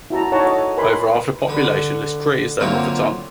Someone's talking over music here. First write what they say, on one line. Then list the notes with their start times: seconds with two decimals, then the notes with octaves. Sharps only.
Over half the population list Cree as their mother tongue.
0.10 E4 F#4 A5 A#5
0.32 D#4 A4 C#5 F#5 A5 A#5
0.46 A4 D#5
0.77 A#4 B4 G#5 B5 C6
1.47 D3 B4
2.60 D3 F#3 A#3 C4 E4 F4